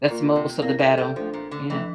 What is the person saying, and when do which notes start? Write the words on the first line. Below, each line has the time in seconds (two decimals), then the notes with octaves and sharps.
That's most of the battle, yeah.
0.08 A#2 A#3 F4 A#4 D5
0.36 C3
0.62 A#3 C4 E4 A#4 D5
0.79 A3
0.98 G3
1.16 F3 A3 D4 A4 C5
1.33 A#2
1.51 D3
1.70 E3 F3 A3 D4